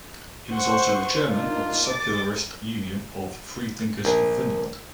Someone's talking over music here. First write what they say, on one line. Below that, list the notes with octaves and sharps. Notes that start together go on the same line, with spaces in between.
He was also the chairman of the secularist Union of Freethinkers of Finland.
C5 F#5 C6 C#6
A#3 D4 D#4 F4
D6 A6
A#1